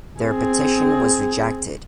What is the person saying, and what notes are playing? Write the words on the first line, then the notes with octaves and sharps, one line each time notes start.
Their petition was rejected.
C4 G#4